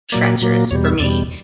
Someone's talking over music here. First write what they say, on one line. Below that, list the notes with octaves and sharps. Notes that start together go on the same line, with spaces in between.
treacherous for me,
A#2 F#3 A#3 D5
A#2 F#3 A#3
E2 B2 G3 C#5
E5
E2 B2 G3 D5